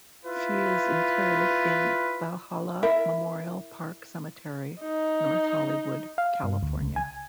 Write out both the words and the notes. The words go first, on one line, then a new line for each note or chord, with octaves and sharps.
She is interred in Valhalla Memorial Park Cemetery, North Hollywood, California.
E4 F4 B4
E4 A#4 E5
D#4
F5
G2
D2
C#2
G#5